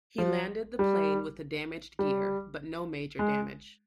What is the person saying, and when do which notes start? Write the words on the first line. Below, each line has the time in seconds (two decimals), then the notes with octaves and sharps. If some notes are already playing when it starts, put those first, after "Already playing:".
He landed the plane with a damaged gear, but no major damage.
0.18 F3
0.79 G3
1.99 G3
3.19 G#3